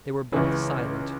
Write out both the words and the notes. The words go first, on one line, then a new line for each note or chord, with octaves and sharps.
They were both silent.
C#2 C#3 E3